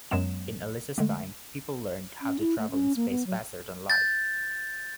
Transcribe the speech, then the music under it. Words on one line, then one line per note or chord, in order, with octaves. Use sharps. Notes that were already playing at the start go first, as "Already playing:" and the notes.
In Alisa's time people learned how to travel in space faster than light.
F#2 F#3 G#3 B3 E7
D3 G#3 A3
C#4
E4
A3
C#4
A#3
B3
F#3
G6 A6